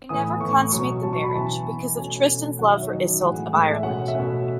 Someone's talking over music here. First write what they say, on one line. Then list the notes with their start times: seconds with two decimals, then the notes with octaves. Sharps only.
They never consummate the marriage because of Tristan's love for Iseult of Ireland.
0.09 A2 E3 B3 D#6
0.40 A2 E3 B3 C#6
0.51 C#6
0.61 C#6
0.72 B2 F#3 C#4 C#6
1.03 B2 F#3 C#4 A5
1.13 C#6
1.24 B5
1.34 E3 B3 A5
1.65 E3 B3
1.96 B2 A3 C#4 G#5
2.27 B2 A3 C#4
2.59 D#3 F#3 C#4 F#5
2.75 E5
2.83 C#5
2.90 D#3 F#3 C#4 D#5
3.21 A2 E3 G#3 F#5
3.53 A2 E3 G#3
3.73 E5
3.83 B2 A3 C#4 F#5
4.08 E5
4.15 B2 A3 C#4 F#5